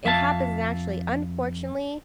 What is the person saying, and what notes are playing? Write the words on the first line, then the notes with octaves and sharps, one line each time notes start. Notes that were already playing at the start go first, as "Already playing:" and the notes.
It happens naturally. Unfortunately,
F2 E5 F5 A5